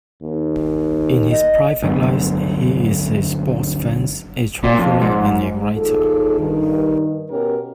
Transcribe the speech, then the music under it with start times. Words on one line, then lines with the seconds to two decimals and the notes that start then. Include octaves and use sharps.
In his private life, he is a sports fan, a traveller and a writer.
0.23 D#2
1.31 D#5
1.82 D2 G2 F#3 B3
4.64 A#2
4.79 F2
5.01 G#2
5.74 D#2 D#4 F4 G#4 A4
6.39 G2 D#3
7.30 B2 C#4 G4 A#4